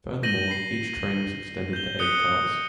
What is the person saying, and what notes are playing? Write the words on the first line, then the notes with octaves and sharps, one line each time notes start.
Furthermore, each train was extended to eight cars.
G6 A#6 D#7 F#7 G7
C7
G6 G7
D#6 F#6 C#7 D#7 G7